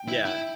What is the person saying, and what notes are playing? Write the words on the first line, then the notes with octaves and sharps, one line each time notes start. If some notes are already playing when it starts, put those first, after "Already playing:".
Yeah. E
Already playing: G5
E4
E4